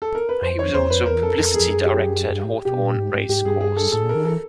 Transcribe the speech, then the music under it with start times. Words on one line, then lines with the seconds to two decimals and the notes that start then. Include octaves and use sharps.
He was also Publicity Director at Hawthorne Race Course.
0.02 A4
0.15 A#4
0.29 B4
0.42 F2 C5
0.59 C#5
0.74 E2 C5
0.90 F2 B4
1.06 E2 A#4
1.22 F2 A4
1.38 F2 A4
1.54 G#4
1.60 F2
1.70 F#2 G#4
1.86 G4
2.30 F#2
2.34 G2
2.44 A2
2.65 B2 G4
2.81 A#2
2.97 G#2
3.14 G#2
3.29 G#2 G4
3.45 G2 G#4
3.61 G#4
3.77 A4
3.92 A2 A4
4.04 A#2
4.09 A#4
4.15 D#3
4.25 E3 A4